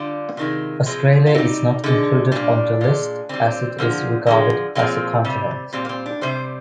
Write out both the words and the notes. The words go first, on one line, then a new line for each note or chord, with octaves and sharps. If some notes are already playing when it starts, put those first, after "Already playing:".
Australia is not included on the list as it is regarded as a continent.
Already playing: D3 G3 F4
C3 D#3 G#3
C3 F3 G#3
F4
C3 G3 D#4
D3 G#3
A#2 G3 D4
A#2 G#3
D3 G3 C4
D3 F3 G#3
D3 F3 G#3
A#2 F3 G#3 C4
C3 G3
A#2 G3 C4
A#3
C4
D4
C3 G3 C5